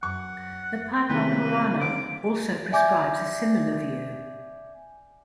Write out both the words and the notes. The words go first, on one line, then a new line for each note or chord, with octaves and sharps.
The Padma Purana also prescribes as similar view.
F#2 F#5 C#6
C3 D#3 E3 G3 C#4 G#4 B4
C4 F5 D6
D5 E5 G#5 D6 G6 G#6